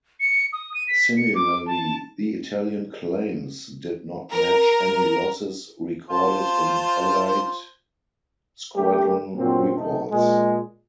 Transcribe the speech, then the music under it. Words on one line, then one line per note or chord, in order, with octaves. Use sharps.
Similarly, the Italian claims did not match any losses recorded in Allied squadron reports.
C#7
D#6
D#7
B6
C#7
D6
A5
A#4
F4 C5 A5
D3 G3 A3 G4
G2 A#2 F#3 C4
B1 C3 A3 D#4 A4
A#2 G#3